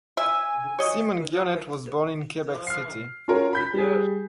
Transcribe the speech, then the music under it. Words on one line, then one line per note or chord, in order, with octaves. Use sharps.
Simon Gionet was born in Quebec City.
E5 G#5
C#5 D#5
F6 C7
C#4 F4 F#4 A#4 C#5
B5 G6 B6
G3 G#4